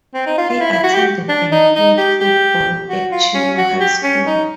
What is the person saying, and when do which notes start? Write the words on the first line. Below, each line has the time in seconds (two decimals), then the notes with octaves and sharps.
He attended and played football at Chino High School.
0.14 C4
0.26 D#4
0.38 F4
0.49 F4
0.61 E4
0.72 E4
0.83 F#4
0.95 G4
1.29 D4
1.52 D#4
1.75 D#4
1.98 G4
2.20 G4
2.89 F#4
3.12 F4
3.34 C#4
3.58 F#4
3.80 G4
4.03 C#4
4.27 D#4